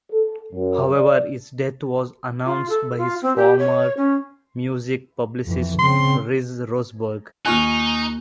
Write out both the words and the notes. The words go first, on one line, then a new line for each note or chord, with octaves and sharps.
However his death was announced by his former music publicist Liz Roseberg.
A4
F#2
D5
F4
A4
F4
C4
G4
C#5
C#4
F2 E3
C#3 C4 C6
D#2 D#4 F4 G#5 C#6 F6 F#6